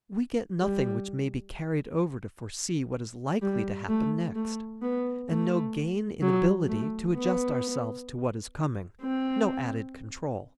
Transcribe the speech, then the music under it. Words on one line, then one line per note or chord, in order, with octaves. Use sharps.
We get nothing which may be carried over to foresee what is likely to happen next, and no gain in ability to adjust ourselves to what is coming--no added control.
G3
G3
A3
A3
B3
A3
F#3
A3
B3
C4